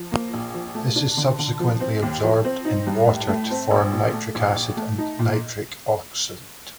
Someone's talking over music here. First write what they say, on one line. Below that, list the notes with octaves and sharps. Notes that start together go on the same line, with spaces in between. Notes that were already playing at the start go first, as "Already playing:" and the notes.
This is subsequently absorbed in water to form nitric acid and nitric oxide.
Already playing: F3
A#3
A#1
F3
A3
D4
D3
D3
F3
C4
D#2
F3
C4
D#4
G2
A2
A3
C4
A#1
A#2
A3
A#1
A#1
A3
D#4
A#2